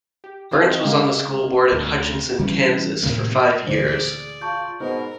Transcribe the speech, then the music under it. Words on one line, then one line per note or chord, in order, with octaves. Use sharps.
Burns was on the school board in Hutchinson, Kansas, for five years.
G4
E3 C4 F4 D#5
C#3 G#3 A#3 G4
D2
E3 G3 C#4
A2 C3 D#3 A#3
D2 A#2 E3 G#4 C5 D5
G#6
F4 A5 C#6 G6
G#2 B2 B3 D#4 A#4 C5